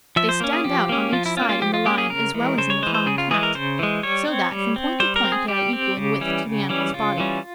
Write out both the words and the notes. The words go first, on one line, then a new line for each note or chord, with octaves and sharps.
They stand out on each side in the lion, as well as in the common Cat; so that, from point to point, they are equal in width to the animal's body.
F3 E5
C5
A#3 C#4
G#4
F3 G4
A#3 C#4
F3 F4
E4
A#3 C#4 F4
F4
F3 G4
F4
A#3 C#4 G4
G#4
C#3 A#4
E3 G#3
C#3 C5
C#5
E3 G#3 C5
C5
C#3 G#4
F4
E3 G#3 G#4
A#4
C#3 C5
E3 G#3
G3 C#5
C4
G3
C4
G3 C5
A#4
C4
G#4
G3 G4
C4
C#3
E3 G3 C#4
C#3
E3 G3 C#4
C#3 F4
E3 G3 C#4